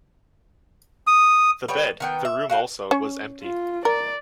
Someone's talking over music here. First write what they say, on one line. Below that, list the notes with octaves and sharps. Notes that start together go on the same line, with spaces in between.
The bed, the room also, was empty.
D#6
G3 B3 C#5 G5
D#3 B3 G5
E5
F#4 F5 G5
C#4 C#5
F4
A#4 D5